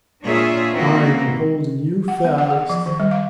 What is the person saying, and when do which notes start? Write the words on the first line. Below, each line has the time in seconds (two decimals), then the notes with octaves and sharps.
"I am holding you fast!"
0.24 A#2 D4 F4 G#4 C#5 E5
0.74 E3 G#3 A#3 C4 D#4 F#4
2.08 F#5
2.25 B3
2.38 F#5
2.50 G#4
2.69 F3
2.86 D#3
3.00 G3
3.11 F5